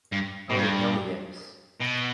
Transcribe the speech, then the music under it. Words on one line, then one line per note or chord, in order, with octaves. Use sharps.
Oh hell yes.
G2
A2
G2
B2